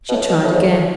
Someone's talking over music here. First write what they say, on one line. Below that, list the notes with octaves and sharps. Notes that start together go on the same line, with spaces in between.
She tried again.
B2
A2
B2
A2
G#2
A2